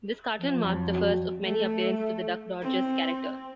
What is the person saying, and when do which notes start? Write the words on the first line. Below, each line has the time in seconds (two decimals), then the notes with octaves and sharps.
This cartoon marked the first of many appearances of the Duck Dodgers character.
0.38 F3
0.64 F2 F#3
0.89 F#4
1.43 A3
2.62 C4